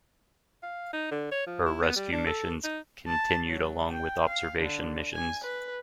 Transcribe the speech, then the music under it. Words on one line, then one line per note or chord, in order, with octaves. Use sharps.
Her rescue missions continued along with observation missions.
F5
D#4
D3
C#5
F3
E4
B3
G3
D4
A4
D#4
A5
F#3
G5
F5
D3
G#5
B4